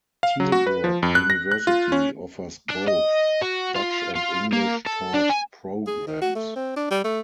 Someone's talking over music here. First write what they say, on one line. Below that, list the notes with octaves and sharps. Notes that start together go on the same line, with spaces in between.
Tilburg University offers both Dutch-and English-taught programs.
F5
F#3
F#4
B4
F3
F2
F#6
A#6
F#6
F4
C#4
D4
D#5
F#4
F4
F4
A#3
A4
D4
G#5
G#4
D#3
F#4
A3
C4
D4
G3
A3